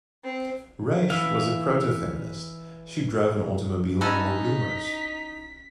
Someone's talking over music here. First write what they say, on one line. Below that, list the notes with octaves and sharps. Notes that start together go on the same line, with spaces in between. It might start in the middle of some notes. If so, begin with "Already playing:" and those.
Raiche was a proto-feminist, she drove an automobile and wore bloomers.
C4
E3 E5 F5
E3 C#4 D#4 F#4 A4 G#5 B6